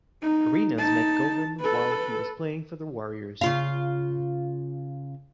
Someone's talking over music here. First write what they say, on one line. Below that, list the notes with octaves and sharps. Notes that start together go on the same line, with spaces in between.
Arenas met Govan while he was playing for the Warriors.
D#4
D#4 A5
A4 B4
C#3 F4 F5